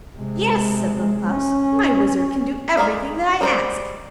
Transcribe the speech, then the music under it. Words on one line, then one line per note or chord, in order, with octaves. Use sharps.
'Yes,' said Little Klaus; 'my wizard can do everything that I ask.
C3 G#3
C#4
G#3 A#4 D5 F5
G3 G#3 A#4 C5 D5